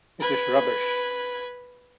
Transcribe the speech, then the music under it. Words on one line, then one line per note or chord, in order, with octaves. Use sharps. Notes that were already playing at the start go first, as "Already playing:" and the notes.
It is rubbish.
B4 G#6